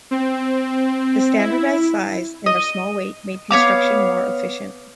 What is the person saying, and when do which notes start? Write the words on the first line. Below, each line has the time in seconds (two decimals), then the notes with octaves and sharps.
The standardized size and their small weight made construction more efficient.
0.11 C4
1.38 E4
2.46 D#5
3.51 B3 C#5 F5 D6